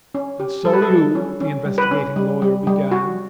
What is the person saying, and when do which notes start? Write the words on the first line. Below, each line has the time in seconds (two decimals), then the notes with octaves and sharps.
"And so you--" the investigating lawyer began.
0.15 C#4
0.40 G4
0.65 G3 A4
0.73 B4
0.82 A4
0.90 G3
1.15 C#4
1.41 C#4
1.65 G3
1.78 B4
1.91 C#4
2.16 G3
2.42 G3
2.67 G3
2.92 F#4